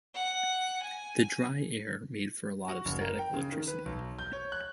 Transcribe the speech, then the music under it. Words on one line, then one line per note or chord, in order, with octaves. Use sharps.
The dry air made for a lot of static electricity.
F#5
G#5
F#4
F#1
A#4
G5
C#3
D#3
B4
B1
G6
C#5
F#6